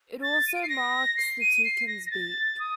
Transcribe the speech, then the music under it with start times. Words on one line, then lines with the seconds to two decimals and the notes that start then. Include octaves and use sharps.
It also marks the toucan's beak.
0.22 A6
0.48 D#7
0.55 D7
0.63 C7
0.69 A#6
1.17 C7
1.41 D#7
1.65 C7
1.87 A#6
2.06 A#6
2.11 A6
2.59 D#6